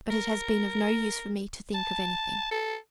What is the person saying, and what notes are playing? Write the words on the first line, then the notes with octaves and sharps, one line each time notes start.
But it has been of no use for me to think of anything.
A#4
A5
A4